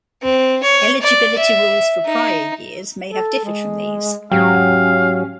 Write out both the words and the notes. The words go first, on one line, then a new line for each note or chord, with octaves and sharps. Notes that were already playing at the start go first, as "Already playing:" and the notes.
Eligibility rules for prior years may have differed from these.
C4
C#5
D5
E5
D#4
A4
G#3
G#2 F#3 C#4 G4 F5 G5